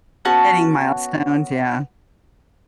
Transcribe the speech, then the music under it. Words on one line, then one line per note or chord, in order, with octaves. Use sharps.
Hitting milestones, yeah.
B3 C#4 F#4 A5